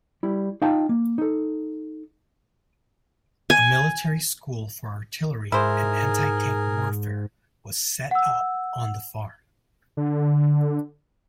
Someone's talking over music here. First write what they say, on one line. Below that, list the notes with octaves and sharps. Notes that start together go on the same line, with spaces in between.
A military school for artillery and anti-tank warfare was set up on the farm.
G3 E4
D#4 F4 D#5 F5 G5 A5
A#3
D#4 A4
G#5
G#2 E4 G#4 A#4 C5
F#5 E6
D3